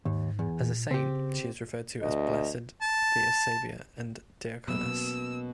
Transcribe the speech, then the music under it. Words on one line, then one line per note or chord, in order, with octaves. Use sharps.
As a saint she is referred to as Blessed Theosebia the Deaconess.
D#2 G#2
E2
A#2
C#3 C4 G4
D2 D#5
A5
B2 F#3 A#3 C#4 E6